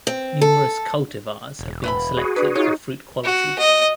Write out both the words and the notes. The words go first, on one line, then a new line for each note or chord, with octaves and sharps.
Numerous cultivars have been selected for fruit quality.
C4
A4
E1
B4 E5 B5
F#4 G#4
D4 B4
D#4 F4 C#5
F#4
D#5